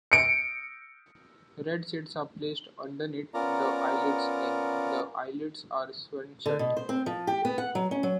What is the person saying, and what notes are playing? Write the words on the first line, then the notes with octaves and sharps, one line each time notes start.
Red seeds are placed underneath the eyelids and the eyelids are sewn shut.
C#7 D7
B3 C#4 F4 A#4 D5 A#5
D3
B2
C5
C4
F3
G4
B3
F#5
F#3
C#4
F#3